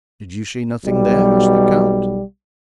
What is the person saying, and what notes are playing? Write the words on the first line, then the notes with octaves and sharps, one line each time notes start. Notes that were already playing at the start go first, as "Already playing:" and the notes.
"Did you see nothing there?" asked the count.
B1 B2 G3